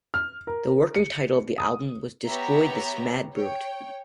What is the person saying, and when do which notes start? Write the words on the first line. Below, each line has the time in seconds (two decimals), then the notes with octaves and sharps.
The working title of the album was Destroy This Mad Brute!
0.14 F6
0.47 A#4
0.95 C#7
1.58 D#6
2.25 B3 G4 C#5 E5 A#5
3.33 C#5 G5